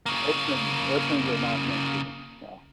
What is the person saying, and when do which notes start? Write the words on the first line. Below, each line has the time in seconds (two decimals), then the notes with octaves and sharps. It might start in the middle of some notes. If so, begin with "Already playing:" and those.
airplane airplanes are not meant for me, yeah.
0.06 C#3 A#3